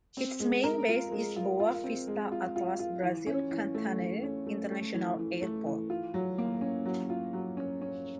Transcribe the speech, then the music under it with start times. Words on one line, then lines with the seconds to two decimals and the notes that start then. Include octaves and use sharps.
Its main base is Boa Vista-Atlas Brasil Cantanhede International Airport.
0.17 C4
0.40 G#3
0.64 A#4
0.89 F4
1.12 G#3
1.36 F4
1.60 F4
1.84 C4
2.07 G#3
2.32 F4
2.56 F4
2.79 F4
3.03 E3
3.27 C#4
3.51 E3
3.75 A3
3.99 E3
4.23 C#4
4.47 A3
4.71 A3
4.94 E3
5.19 E3
5.42 A3
5.67 E3
5.90 F4
6.14 F#3
6.38 A#3
6.61 C#4
6.85 F#3
7.10 F4
7.33 F#3
7.57 C#4
7.81 C#4